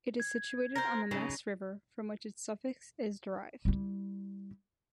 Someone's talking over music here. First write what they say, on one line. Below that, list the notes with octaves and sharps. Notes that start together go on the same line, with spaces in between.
It is situated on the Mess River, from which its suffix is derived.
G#6
A#4 C5 A#6
C#3 F#3 D#4
G3 E4